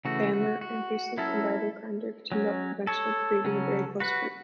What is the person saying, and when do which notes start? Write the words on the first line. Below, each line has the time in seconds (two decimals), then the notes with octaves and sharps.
Bandler and Pucelik invited Grinder to team-up eventually creating a very close group.
0.05 C#3 E3 A3 F#4
0.33 F#4
0.61 F#4
1.18 F#3 C#4 E4 A4
2.32 F#3 C#4
2.87 A4 C#5
3.44 C#3 F#3 C#4
4.00 F#4 B4